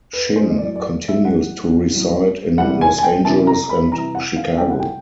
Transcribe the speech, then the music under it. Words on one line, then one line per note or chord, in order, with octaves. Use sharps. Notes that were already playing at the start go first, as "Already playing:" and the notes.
Shin continues to reside in Los Angeles and Chicago.
B4
C5
D#5
A2 F#3 D5
D5
E5
A2 F#3 F#5
A2 F#3
C3 E3 G3 F#5
G#5
G#5
G5
C3 E3 G3 A5
A#5
B5
C3 E3 G3 A#5
F#5
F5
C3 E3 G3 G5
F#5
G5